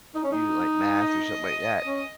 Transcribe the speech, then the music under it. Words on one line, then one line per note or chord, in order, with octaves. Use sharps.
you like math or something like that
D#4
C#4
D#4
D#5
C#4